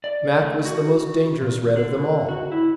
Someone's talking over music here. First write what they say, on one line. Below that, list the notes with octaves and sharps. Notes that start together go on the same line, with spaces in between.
"Mac" was the most dangerous Red of them all!
D5
A3
F#4
A#2
D3
F#4
E4